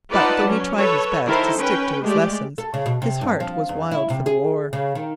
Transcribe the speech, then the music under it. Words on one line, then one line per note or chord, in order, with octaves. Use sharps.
But, though he tried his best to stick to his lessons, his heart was wild for the war.
D#4 F4 B4 D5 F#5 A5
F#3 C#4
A4 B4 C#5
D#3 E4 A4 A#4 C5
C#4 B4 G5
G#3 A3 G4 D5
A4
C#3
B2
C3
G2
F3
E2
E4
C3
G#4
C#3
D#3